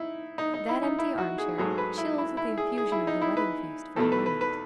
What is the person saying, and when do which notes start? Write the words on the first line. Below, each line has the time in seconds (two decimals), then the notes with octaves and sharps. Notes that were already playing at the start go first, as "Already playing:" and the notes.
That empty arm-chair chilled the effusion of the wedding feast for a moment.
Already playing: D#4 E4
0.38 D#4
0.54 D#4
0.69 E4
0.83 D#4
0.98 E4
1.18 F#4
1.38 G#4
1.58 G#2 F#3 A3 G#4
1.78 B4
1.98 E4
2.18 E4
2.37 E4
2.57 G#4
2.78 G#4
2.92 E4
3.07 D#4
3.21 E4
3.37 B4
3.96 E2 B2 A3 A4
4.12 B4
4.26 B4
4.41 B4